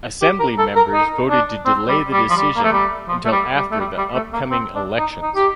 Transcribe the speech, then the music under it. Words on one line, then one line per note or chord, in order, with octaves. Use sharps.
Assembly members voted to delay the decision until after the upcoming elections.
G4
A#4
A4
A#4
D#4
D4
C4
G3
G3
F3
G3
A#3
A3
G3
F3
A3
G3
G3
A3
G3
G3
A3
A#3
C4
D4
D#4
D#4
G4